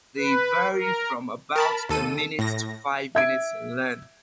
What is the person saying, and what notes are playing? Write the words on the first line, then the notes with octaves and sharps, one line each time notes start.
They vary from about a minute to five minutes in length.
B4
A#4
A#4 A5 B5
D#2 A4 D#7
A2 A#6
E5 G#6 D7